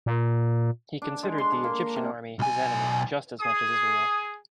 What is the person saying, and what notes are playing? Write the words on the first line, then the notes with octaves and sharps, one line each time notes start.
He considered the Egyptian Army his enemy just as much as Israel.
A#2
D4
G#3
C6
A5
A#3
A#5
C3
B1 G#5
G#4 D#6